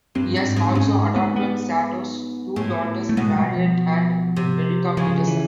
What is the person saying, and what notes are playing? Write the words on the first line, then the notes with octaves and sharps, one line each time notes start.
He has also adopted Sato's two daughters, Marriett and Erika Peterson.
G2 C4
G#2
G#2
G#2 C#4
B3
B3
A2
A3
B2 G#3
G3
F3
C3
C#3 F3
E3